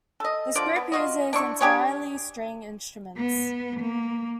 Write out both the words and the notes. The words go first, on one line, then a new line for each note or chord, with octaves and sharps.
This group uses entirely string instruments.
A4 D#5
D3 F3 D5
B3
F4 F#4 D#5
D4 E4 C#6
D4 G4 G#4 C#5
B3
A#3